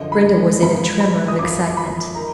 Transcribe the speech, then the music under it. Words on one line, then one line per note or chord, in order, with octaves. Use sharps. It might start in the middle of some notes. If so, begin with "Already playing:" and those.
Brenda was in a tremor of excitement.
Already playing: F#2 D3 F3 D#5
B5
G#2 F3 B5
B5
D#6
F#2 F3 D6
B5
D#3 A#5